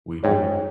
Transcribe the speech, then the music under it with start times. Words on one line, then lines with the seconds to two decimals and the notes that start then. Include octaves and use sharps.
We do.
0.23 G#2 G#4 C#5 G5